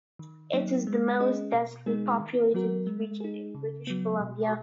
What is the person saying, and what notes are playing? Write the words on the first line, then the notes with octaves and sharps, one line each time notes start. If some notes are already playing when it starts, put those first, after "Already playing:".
It is the most densely populated region in British Columbia.
D#3
F#3 A#3 D#4
G#3
C#4 G#4 D#5
B2
G#3 B3 D#4 G#4
D#3
F#3 B3 F#4 A#4
G#3
D#4 G#4
C#3
F#3 B3
B2